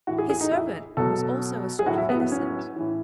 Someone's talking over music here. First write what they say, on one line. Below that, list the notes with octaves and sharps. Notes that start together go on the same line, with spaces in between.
His servant was also a sort of innocent.
A2 E3 F#4
G#4
G#4
D#4
E4
B2 F#3 A4
G#4
A2 F#3 F#4
E4
B3
B3
C#4
A2 E3